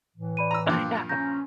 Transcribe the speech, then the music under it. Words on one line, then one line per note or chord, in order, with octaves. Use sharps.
Uh, yeah,
A2 E3
D5 B5 D#7
A#5 E6
G2 A#2 F3 G5 D6 F#6
C#4 A#5 G6 A#6